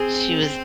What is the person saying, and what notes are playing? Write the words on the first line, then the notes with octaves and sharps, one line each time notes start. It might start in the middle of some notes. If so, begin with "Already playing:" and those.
She was
Already playing: C4 G#4
C4